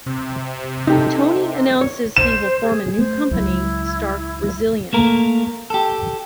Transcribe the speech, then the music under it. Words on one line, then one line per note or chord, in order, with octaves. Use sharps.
Tony announces he will form a new company, Stark Resilient.
C3
D#4 G4 A4
C#5
C5 E7
G#4
A3 C5
C#2 F#3 E4
A3 A#3 A#4
G4 A4